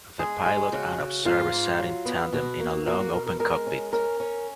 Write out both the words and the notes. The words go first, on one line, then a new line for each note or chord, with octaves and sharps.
The pilot and observer sat in tandem in a long open cockpit.
G#3 G#4
G#3
C#3 F#4
C#3
G#2 F4
G#2
F#3
B3
B2 F#4
A#3
A#3 F#4
F#4
B2 A#4
A#4
G#3 A#4
C#4
C#4 A#4
C#4